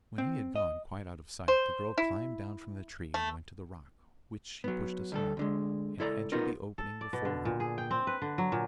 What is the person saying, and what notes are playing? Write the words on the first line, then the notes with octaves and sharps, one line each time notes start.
When he had gone quite out of sight the girl climbed down from the tree and went to the rock, which she pushed aside, and entered the opening before her.
C4
D#5
C5
E4
A3
F#3 B3
D2 G3 A4
D2 D3 G#3
C#2 E4 A4 D5 A#5
B3 D#4 F4 A#4
A4
D5
B2
D3
A#2
G#4
G5
C4
B4
D3
F#3
A#2